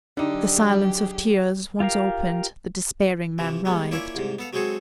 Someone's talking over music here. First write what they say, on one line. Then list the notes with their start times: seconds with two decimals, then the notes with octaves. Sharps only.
The silence of tears once opened, the despairing man writhed.
0.17 D3 F#3 D4 D#4 G4 G#4
1.80 F4 G4 A#4 F5
3.38 C3 E3 F3
3.65 G3 G#3 B3
3.91 A#3 C#4 E4 F4 D5 E5
4.15 C2 G#2 C3
4.39 B3 A4 F5
4.53 F#3 G#3 C4 F#4 G#4 A4